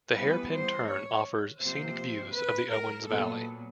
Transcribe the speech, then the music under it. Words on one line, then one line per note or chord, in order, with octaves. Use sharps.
The hairpin turn offers scenic views of the Owens Valley.
E3 G3 B3 B4
C5
C#5
C3 F3 A#3 C5
B4
A#4
A#2 F#3 B3 A4